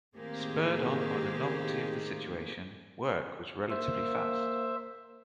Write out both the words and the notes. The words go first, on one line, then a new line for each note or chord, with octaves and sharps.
Spurred on by the novelty of the situation, work was relatively fast.
A2 D#3 A#3 C4 G4 G#4
A#3 C5 E5